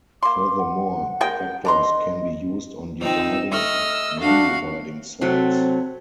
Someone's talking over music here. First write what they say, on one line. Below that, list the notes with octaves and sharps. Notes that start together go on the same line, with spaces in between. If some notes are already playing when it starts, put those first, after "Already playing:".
Furthermore, the vectors can be used on dividing and non-dividing cells.
A#3 C6 D6
F#5
G#3 A#4 G5
D4 D#5 A#5 C6
F3 C4 D#4 E6
A3 D#5 E6 F6
D4 F#4 F5
C3 F#3 A3 C4